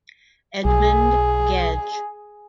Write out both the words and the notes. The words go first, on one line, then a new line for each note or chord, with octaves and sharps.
Edmund Gedge.
B1 G#4